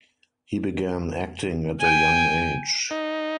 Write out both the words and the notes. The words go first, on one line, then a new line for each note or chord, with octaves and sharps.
He began acting at a young age.
G5 G#5
D#4